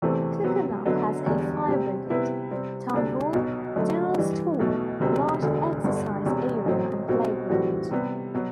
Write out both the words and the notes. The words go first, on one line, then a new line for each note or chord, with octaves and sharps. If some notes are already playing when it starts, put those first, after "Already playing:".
Cookernup has a Fire Brigade, Town Hall, General Store, large exercise area and playground.
E2 C3 E3 A3 C4
C3 F#3 B3
F#1 F#2 D3 F#3 B3
E1 E2 D3 G3
C3 G3 C4 G4
C3 G3 B3 E4 B4
C3 G3 C4
D2 C3 G3 D4
B1 B2 F#3
F#1 F#2 D3 F#3 A3
G2 E3 G3
B1 B2 A3
E1 D2 C3 F#3 C4
E1 D2 D3
G1 G2 D3
E1 E2 C3
A1 A2 F#3 C4
B1 B2 G3 C4 F#4
A2 E3 G3 C4 F#4
C3 G3 B3
B2 F#3 B3